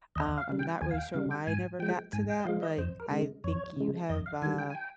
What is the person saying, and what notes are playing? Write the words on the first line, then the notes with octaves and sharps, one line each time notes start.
Um, I'm not really sure why I never got to that, but I think you have, uh,
D#2 D#5
F5
C#3 G3
G5
D#2 G#5
F5
G5
C#3 G3 F5
G5
G#2 G#5
F3 G#3 G5
G#2 G#5
G5
D#5
F3 G#3 F5
D#5
F2 C5
A#4
C#3 G#3
F2 C#5
C#3 G#3
F2 D#5
F5
D#3 G3 G#5
G5
G#5
G5